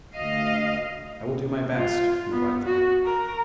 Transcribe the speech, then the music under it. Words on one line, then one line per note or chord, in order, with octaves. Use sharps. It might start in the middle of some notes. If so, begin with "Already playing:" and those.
'I will do my best,' replied the youth.
D2 D#5 F5
F4
B3
F#4
A#4